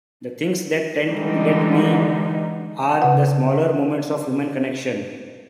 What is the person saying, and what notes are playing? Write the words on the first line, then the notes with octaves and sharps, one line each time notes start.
The things that tend to get me are the smaller moments of human connection.
D3 E3 G3 G#3 D#4
C#3 F#5